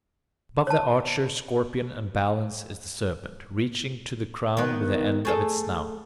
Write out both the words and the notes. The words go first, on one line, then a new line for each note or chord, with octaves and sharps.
Above the Archer, Scorpion, and Balance, is the Serpent, reaching to the Crown with the end of its snout.
C#5 A5
D#3 B3
A3 G#4 A4